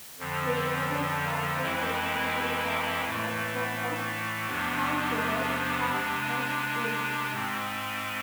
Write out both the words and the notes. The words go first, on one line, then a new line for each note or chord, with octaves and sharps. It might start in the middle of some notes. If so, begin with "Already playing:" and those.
The show was partially presented in character as 'co-hosts' Councillors Cox and Evans.
F2 D3 F3
F2 E3 G#3 C4 E4
A2 E3 A3
E2 C3 F3 B3 D4
C3 G#3 D4
G#2 G#3 C4